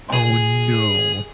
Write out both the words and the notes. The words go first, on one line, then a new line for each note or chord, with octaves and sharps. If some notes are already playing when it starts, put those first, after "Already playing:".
Oh, no.
G#4